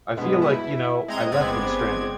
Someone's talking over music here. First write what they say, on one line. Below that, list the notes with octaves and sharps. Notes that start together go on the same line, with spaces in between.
I feel like, you know, I left them stranded.
G2 B2 G#3 B3
E4
G#3 C4 D#5 A#5 G#6
G1 G#3 B3 C4 D5 G#6